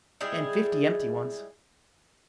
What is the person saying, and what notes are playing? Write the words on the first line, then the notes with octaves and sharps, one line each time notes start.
"And fifty empty ones."
G3 G#3 E4 G#4